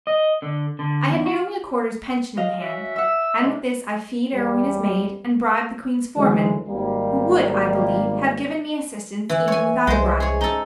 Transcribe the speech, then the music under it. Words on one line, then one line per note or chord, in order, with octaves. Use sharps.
I had nearly a quarter's pension in hand, and with this I fee'd Arowhena's maid, and bribed the Queen's foreman--who would, I believe, have given me assistance even without a bribe.
D#5
D3
D3
E2
F#4
D#5 F5
C#4 F#4 E5
E5 F#5 E6
G#2 C3 G#3
E2 G3
D2 D#3 E3 F#3 G#3
G#1 G3 A#3
E3
C#5 G#5
C2 G#3 C5
G#4 C#5
D#4 A4